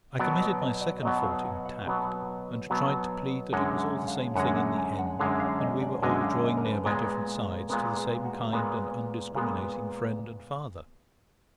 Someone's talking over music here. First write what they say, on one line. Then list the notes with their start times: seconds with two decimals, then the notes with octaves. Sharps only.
I committed my second fault in tact, and tried to plead that it was all the same thing in the end, and we were all drawing near by different sides to the same kind and undiscriminating Friend and Father.
0.19 B2 F#3 B3 D5
0.40 D#5
0.61 D#5
0.82 D5
1.03 B2 F#3 B3 D#5
1.24 F5
1.45 F#5
1.66 F#5
1.87 B2 F#3 B3
2.70 B2 F#3 B3
3.53 F#2 D3 G#3 F#5
3.80 F#5
4.08 F5
4.36 F#2 D3 G#3 F#5
4.57 F#5
4.78 G#5
4.99 F#5
5.19 F#2 D3 G#3 F5
5.40 F5
5.61 D#5
5.82 D5
6.03 F#2 D3 G#3 D#5
6.23 F5
6.44 D#5
6.57 A#4
6.65 B4
6.85 A#2 G#3 B3
7.69 A#2 G#3 B3 A#4
7.97 G#4
8.25 F#4
8.53 A#2 G#3 B3 A#4
9.35 A#2 G#3 B3 A#4